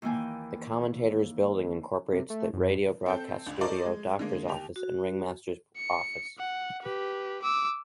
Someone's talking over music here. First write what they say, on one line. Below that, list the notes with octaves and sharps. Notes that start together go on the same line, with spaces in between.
The Commentator's Building incorporates the Radio Broadcast Studio, Doctor's Office and Ringmaster's Office.
D#2 D#3 E3 A#3 G5 G#5
C3
A3
F#2
C4 A4 G6
C#2 D4
A4 A#4 C5 D5 D#5 C#6
G#3
D3 G#3 A#3
D#2 G4 F7
F#4
C#7
F#5
G4 B4
D6 E6